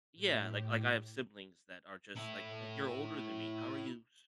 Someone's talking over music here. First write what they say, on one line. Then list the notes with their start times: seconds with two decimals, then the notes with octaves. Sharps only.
Yeah, like like I have siblings that are just, like I'm like, "You're older than me, how are you, s
0.15 A2 G4
2.16 E4 A4